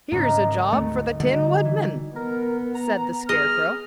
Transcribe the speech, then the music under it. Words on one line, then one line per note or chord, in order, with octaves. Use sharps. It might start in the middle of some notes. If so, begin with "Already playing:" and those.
"Here's a job for the Tin Woodman," said the Scarecrow.
G#1 G#2 C#3 A#4 A#5
D2 A3
D3 G3 D#4 F#4
E3
B3 A#4
A#5
G#4 D#5 F6